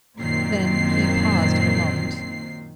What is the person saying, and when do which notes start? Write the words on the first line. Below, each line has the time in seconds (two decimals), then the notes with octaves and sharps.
Then he paused a moment.
0.18 F#2 A#2 D#3 C4 C7